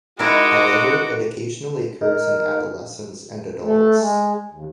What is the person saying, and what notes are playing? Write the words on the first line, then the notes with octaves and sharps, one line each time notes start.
However, it occasionally occurs in adolescents and adults.
G#3 D#4 E4 F#4 A#4 D6
D#4 A#4
A3
G#3
D#2